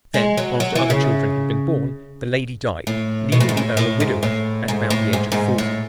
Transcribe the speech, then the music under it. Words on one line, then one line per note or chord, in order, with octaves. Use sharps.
Then, after other children had been born, the lady died, leaving the earl a widower at about the age of forty.
G#3
F#3
F#3
E3
C#3
A2
B2
A2
G#2
A2
A2
G#2
A2
G#2
A2
G#2
G#2
A2